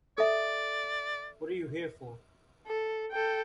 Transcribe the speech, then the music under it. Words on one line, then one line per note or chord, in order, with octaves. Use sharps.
What are you here for?
A4 D5 E5
A4
A4 G5